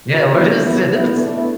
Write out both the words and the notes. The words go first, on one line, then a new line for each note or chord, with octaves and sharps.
yeah, what is this?
D4 F#4
D4
B3 E4
A3 D4
A3 D4
B3 E4
D4 F#4
B3 E4
B3
A3 D4
A3 D4
B3 E4